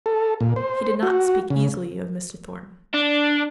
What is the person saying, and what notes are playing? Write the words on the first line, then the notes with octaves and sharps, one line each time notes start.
He did not speak easily of Mr. Thornton.
A4
A#2
C5
F#4
C#3
D4